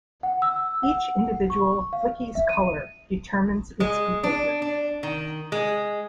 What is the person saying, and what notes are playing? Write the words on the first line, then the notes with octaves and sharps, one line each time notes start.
Each individual flicky's colour determines its behaviour.
F#5
E6
F#5
C#6
F5
E5
D#7
G#3
D4
D4
D#3
G#3